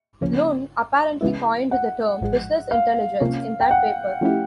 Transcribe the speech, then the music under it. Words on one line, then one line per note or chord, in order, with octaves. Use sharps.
Luhn apparently coined the term business intelligence in that paper.
D2 C#3 F3 A#3 C#4
C#3 E3 G#3 B3 E4
F#5
A1 G#2 F3 G#3
F5
C3 F3 A#3 C#4
G5
F#5
F3 A3 C#4 E4 G4